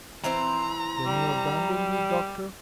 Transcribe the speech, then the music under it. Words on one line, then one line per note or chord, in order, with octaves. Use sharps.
"Then you abandon me, doctor?"
E3 C4 C5 A#5
G3